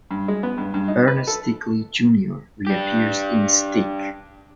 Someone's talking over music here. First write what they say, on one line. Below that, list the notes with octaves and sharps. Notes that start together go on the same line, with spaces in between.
Ernest Stickley, Junior reappears in "Stick".
G2
G#3
B3
G2
G2
D#4
B4
A4
D4 G4